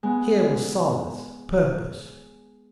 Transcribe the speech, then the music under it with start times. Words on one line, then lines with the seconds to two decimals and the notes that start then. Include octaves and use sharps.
Here was solace, purpose.
0.03 G#3 B3